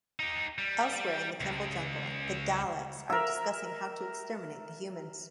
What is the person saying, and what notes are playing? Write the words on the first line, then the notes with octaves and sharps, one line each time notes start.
Elsewhere in the Kembel jungle, the Daleks are discussing how to exterminate the humans.
D#4 G4
G3
C#2
A#4 E5